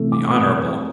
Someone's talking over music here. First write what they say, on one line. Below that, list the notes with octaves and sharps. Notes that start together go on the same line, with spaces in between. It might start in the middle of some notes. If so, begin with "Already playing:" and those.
The Hon.
Already playing: C3 E3 A3
D6
D#6